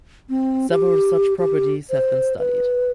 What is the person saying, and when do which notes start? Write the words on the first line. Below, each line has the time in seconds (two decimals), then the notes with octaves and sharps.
Several such properties have been studied.
0.29 C4
0.70 G4
1.38 G4
1.90 C5
2.39 B4